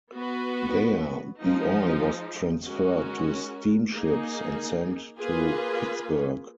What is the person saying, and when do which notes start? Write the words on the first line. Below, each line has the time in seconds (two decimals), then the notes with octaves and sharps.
There the oil was transferred to steamships and sent to Pittsburgh.
0.13 B3 F#4 B4
1.40 F3 G#3 D#4
2.66 G#3 C#4 F#4 A#4
3.93 A#3 D#4 G#4
5.19 A#3 F4 G#4 B4